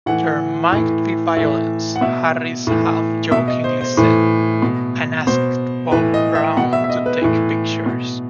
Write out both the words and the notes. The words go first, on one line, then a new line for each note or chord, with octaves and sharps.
"There might be violence," Harris half-jokingly said, and asked Bob Brown to take pictures.
A2 E3 F#5
A2 E3
A2 E3 E5
F#5
B2 E5
A2 E3
B2 E5
D#5
C5
C5
A2 E3
B2
B2 C5
A2 E3 B4
D#5
E5
B2 F#5
E5
E5
D#5
B4
A2 E3
B2